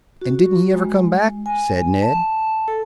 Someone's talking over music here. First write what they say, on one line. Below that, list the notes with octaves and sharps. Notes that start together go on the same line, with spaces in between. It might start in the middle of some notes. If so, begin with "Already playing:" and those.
"And didn't he ever come back?" said Ned.
F#4
G#3
G#5
G#5
A5
A4